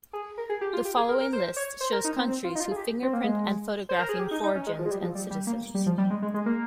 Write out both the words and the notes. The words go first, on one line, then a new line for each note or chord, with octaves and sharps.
The following list shows countries who fingerprint and photographing foregins and citizens.
G#4
A#4
G#4
G4
F4
G4
G#4
A#4
A#4
C5
C#5
C5
A#4
D#4
C4
C4
F4
D#4
F4
G#4
G4
C4
A#3
G#3
C5
A#4
G#4
G4
D#4
D#4
C#4
G#3
F3
G#3
G3
F3
G3
G3
A#3
G3
F3
G3
G#3
G#3
G#3
A#3